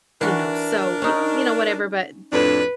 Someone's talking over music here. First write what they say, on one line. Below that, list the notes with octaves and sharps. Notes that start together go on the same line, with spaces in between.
you know, so, you kno you know, whatever, but
E3 D4 F#4 A#4
C#4 D#4
F2 A2 D4 B4